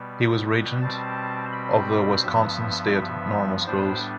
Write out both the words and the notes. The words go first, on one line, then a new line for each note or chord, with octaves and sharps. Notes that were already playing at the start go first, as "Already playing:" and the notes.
He was regent of the Wisconsin state normal schools.
Already playing: B2 G3 B3
B2 G3 C4 A5
B5
G2 F3 B3 E5
A2 G3 B3 D4 C5